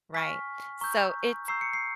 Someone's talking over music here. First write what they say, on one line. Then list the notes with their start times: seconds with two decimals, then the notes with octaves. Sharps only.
Right. So it's
0.14 G#5 C#6 F6 B6
0.81 A#5 C#6 E6 G6
1.48 A#5 C#6 E6 G6 C7
1.61 C#7
1.73 C7